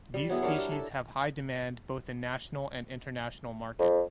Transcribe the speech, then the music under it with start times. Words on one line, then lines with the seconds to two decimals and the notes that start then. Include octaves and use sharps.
These species have high demand both in National and International market.
0.14 G3
0.29 F#3 B3 E4 G#4
0.42 D4 G4 A#4 C#5
0.58 G3
0.72 A4
3.79 F2